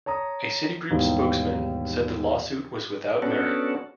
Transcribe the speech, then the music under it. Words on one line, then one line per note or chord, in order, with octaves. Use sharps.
A Citigroup spokesman said the lawsuit was without merit.
C#5 A5 A#5 D#6
D#2 G#2 B2 D#3 E3 G3
B3 C#4 D4 F#4 A4